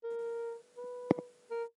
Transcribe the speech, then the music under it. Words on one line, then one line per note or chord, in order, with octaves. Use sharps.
I have made my way through three years of posts.
A#4
B4
A#4